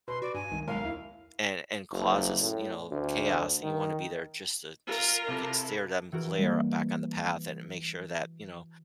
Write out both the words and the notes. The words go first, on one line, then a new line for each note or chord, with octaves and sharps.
and and causes, you know, chaos, you wanna be there just to, just get steer them clear back on the path and make sure that, you know,
B2 B4 C6
F#4 D5
G2 G#5
C2 D#3
B1 G#3 A#4 F5
D#2 E4
F#1
A2
D2
D#3
F4 A#4
C3 E4 A4
E3 F#4 A#4
G3 A#3